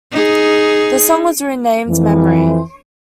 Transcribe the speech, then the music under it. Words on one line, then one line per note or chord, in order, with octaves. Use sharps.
The song was renamed "Memory".
D#4 G#4
F2 E3